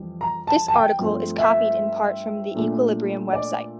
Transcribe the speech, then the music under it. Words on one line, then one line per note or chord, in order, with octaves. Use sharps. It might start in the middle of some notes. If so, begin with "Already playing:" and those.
This article is copied in part from the Equilibrium website.
Already playing: F2 E3 G3
A#5
A5
A5
G5
G2 F3 A3 C4
E5
A#2 A3 D4
D5